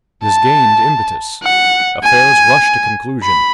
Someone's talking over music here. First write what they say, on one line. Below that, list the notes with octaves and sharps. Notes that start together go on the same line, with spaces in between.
It has gained impetus. Affairs rush to conclusion.
A5
F#5
G#5
B5